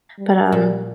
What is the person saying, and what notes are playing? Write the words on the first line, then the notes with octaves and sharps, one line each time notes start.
but, um,
G3
A#2